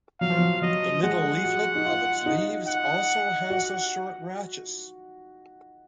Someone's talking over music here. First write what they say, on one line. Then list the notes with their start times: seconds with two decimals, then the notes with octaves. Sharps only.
The middle leaflet of its leaves also has a short rachis.
0.21 F#3 F5
0.30 F3
0.39 F#3
0.62 F#3 D#5
1.03 G#3 F#5
1.43 F#4
1.75 D#4
1.85 F4
2.26 D#4
2.67 F#5
3.50 F#4